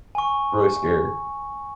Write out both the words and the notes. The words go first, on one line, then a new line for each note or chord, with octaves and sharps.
Really scary.
G#5 C#6